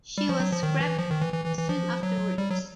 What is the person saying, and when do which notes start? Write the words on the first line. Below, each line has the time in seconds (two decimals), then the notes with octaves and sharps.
She was scrapped soon afterwards.
0.18 G3
0.29 F3
0.40 F#3
0.52 F3
0.63 D#3
0.81 E3
0.99 F3
1.11 D#3
1.22 E3
1.33 E3
1.46 E3
1.57 E3
1.69 F3
2.03 F#3
2.38 G3
2.51 F#3